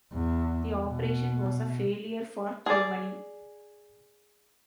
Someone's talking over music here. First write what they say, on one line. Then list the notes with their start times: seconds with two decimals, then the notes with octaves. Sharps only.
The operation was a failure for Germany.
0.12 E2
0.85 B2
2.66 G#4 D5